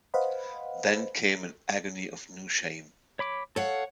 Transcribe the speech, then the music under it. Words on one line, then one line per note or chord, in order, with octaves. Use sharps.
Then came an agony of new shame.
B4 C5 D#5 F5 F#5 B5
C#5 B5 D6
A4 C#5 F5 F#5